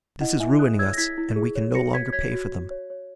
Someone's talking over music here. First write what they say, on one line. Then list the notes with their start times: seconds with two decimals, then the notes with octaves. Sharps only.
This is ruining us, and we can no longer pay for them.
0.21 E4 D#5 F#5
0.40 E4 E5 G#5
0.59 G#4 D#6 F#6
0.79 C#5 E6 G#6
0.94 A#6
0.98 E4 G#6 B6
1.18 E4
1.36 G#4
1.55 C#5
1.75 F#4 A#6 C#7
1.94 C#5 G#6 B6
2.13 C#5 G#6 B6
2.32 F#4
2.52 F#4
2.71 C#5
2.90 C#5